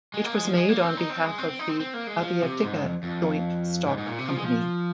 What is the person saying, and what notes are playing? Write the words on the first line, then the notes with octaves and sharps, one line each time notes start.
It was made on behalf of the "Aviatika" joint-stock company.
G#3
A#3
G#3
F3
G#3
A#3
C4
D#4
C4
G#3
C4
C4
D#4
C4
C4
A#3
G#3
F3
C3
G#2
F2
F2
G#2
G#2
A#2
C3
F3
G#3
F3